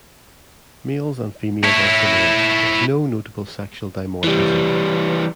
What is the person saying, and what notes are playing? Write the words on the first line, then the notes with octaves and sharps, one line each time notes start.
Males and females are similar, with no notable sexual dimorphism.
E4 C#5
E3 G3